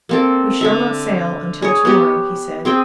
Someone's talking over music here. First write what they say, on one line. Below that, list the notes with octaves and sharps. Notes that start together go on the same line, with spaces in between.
"We shall not sail until to-morrow," he said.
A#3 C4 A4
D3 A4 E5
G#4 C#5
B3 G4
C4 G#4 G5